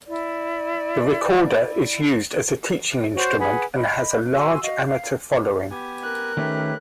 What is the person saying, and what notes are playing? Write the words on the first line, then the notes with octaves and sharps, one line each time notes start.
The recorder is used as a teaching instrument and has a large amateur following.
E4 D5
F#4 C5 C#5
G#4 B4 F#5 G#5
D#5 B5
F#4 G#5 C6 E6
F#4 D#5 F5
F5
B3 G4 G#5
A#4 F#6
D#3 A3 C#4 G4 B4